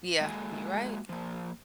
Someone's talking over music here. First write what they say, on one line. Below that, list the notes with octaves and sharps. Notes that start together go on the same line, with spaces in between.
Yeah. You're right.
G#3 A#3 F#4 G#4 A4 G#5
F3 A#3